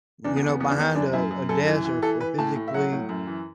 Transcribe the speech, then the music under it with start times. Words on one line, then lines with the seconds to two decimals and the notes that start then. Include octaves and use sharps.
you know, behind a a desk, or f or physically,
0.24 E2 D4
0.36 B3
0.42 E2
0.48 B3
0.60 E2 B3
0.70 D4
0.77 E2 B3
0.95 F#2 D4
1.13 F#2 E4
1.31 F#2
1.49 F#2 A4
1.67 E3
1.85 E3
2.02 E3 A4
2.20 E3 B4
2.39 A2 A5
2.56 A2
2.67 E5
2.74 F#3 F#5
2.92 A2
3.09 F#2
3.27 E3